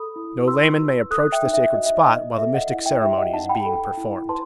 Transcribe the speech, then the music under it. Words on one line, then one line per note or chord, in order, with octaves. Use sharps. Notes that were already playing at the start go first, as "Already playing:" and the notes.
No layman may approach the sacred spot while the mystic ceremony is being performed.
Already playing: A4 B5 D#6
E4
B4 C6 E6
F#4
A4 D#6 F#6
E5 G5
D#4
E5
F#4 D#5
E5
D#5
D#4
A4 E5
D#5 F#5
E4
E5 G5
G4 E5 G5
D#5 F#5
D#4 F#5 A5
G5 B5
A4
E4
B4 A5 C6